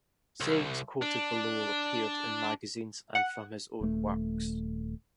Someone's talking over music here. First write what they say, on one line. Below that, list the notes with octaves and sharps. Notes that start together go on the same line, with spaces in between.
Sayings quoted below appeared in magazines and from his own works.
C2
D4
F#5
D#1 A3